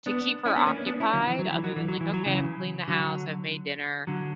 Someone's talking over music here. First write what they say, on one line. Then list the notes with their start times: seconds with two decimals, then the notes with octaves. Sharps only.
to keep her occupied other than like, "Okay, I've cleaned the house. I've made dinner"
0.06 B3 D4
0.46 C#4 E4
0.56 B3 D4
0.66 A#3 C#4
0.86 B3 D4
1.00 C#4 E4
1.13 D3 F#3
1.27 E3
1.39 F#3
1.51 E3
1.64 F#3
1.76 E3
1.88 F#3
2.01 E3
2.14 F#3
2.26 C#3 E3
2.88 D3 F#3
4.07 D3 F#3